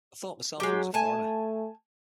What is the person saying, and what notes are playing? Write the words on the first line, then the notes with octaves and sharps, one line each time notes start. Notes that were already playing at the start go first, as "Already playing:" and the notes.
I thought myself he was a foreigner.
F#3 G#3 G4
A3 G#5 A5